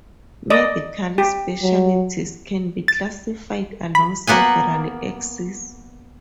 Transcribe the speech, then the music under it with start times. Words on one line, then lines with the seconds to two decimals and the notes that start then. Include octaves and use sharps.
Medical specialties can be classified along several axes.
0.50 D5 D#5
1.18 G4
1.62 F#3
2.88 A6
3.95 B5
4.27 A#3 B3 F#5 G#5